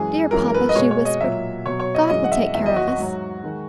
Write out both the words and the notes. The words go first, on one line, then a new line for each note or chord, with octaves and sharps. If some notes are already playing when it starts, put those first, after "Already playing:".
"Dear papa," she whispered, "God will take care of us."
Already playing: F#2 E3 G#3 G#4
F#2 E3 G#3 A#4
A#4
B4
D#5
B2 G#3 C#5
C#5
D#5
A#2 F#3 E5
B2 F#3 C#5
C#5
D#5
F#2 E3 G#3 D#5
F#5
E5
E2 D#3 F#3 E5
D#5
F#4
F#4
G#2 F#3
D#3 G#3